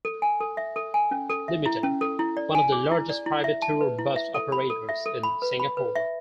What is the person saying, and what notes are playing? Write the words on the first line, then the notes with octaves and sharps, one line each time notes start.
Ltd., one of the largest private tour bus operators in Singapore.
A4
G#5
A4
E5
A4
G#5
C#4
A4
E5
E4
C#4
A4
E4
D5
G#5
G#4
E4
D5
E4
E5
A5
B4
E4
E5
A4
B5
A4
E5
A4
B5
B4
B5
B4
E5